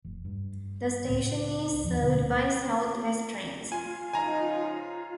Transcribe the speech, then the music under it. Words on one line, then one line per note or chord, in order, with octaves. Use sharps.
The station is served by South West Trains.
F1
G2
C#2 A2 B3 C4
E2 F3
D1 B2 D3
F4 G#5
C#3 F3 D#4 G#5 A#5